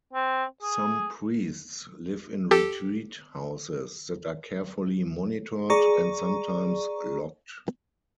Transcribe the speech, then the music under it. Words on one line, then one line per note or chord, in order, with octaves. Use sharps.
Some priests live in retreat houses that are carefully monitored and sometimes locked.
C4
G#4
G4 A4
G#4 D5 A#5 C#6